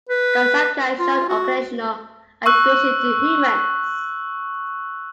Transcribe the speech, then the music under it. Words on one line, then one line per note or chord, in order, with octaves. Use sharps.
Kasatka showed occasional aggression to humans.
B4
F4
F#4
C#6 E6 F#6